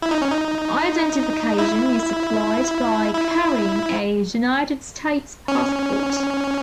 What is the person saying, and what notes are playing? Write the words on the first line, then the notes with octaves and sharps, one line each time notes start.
Identification is supplied by carrying a United States passport.
E4
D#4
C#4
D#4
E4
E4
C#4